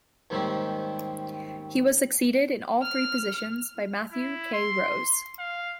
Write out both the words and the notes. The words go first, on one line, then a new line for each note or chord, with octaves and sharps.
He was succeeded in all three positions by Matthew K. Rose.
D#2 G#2 D#3 G3 C4 C#4
F6
E4
C6
F5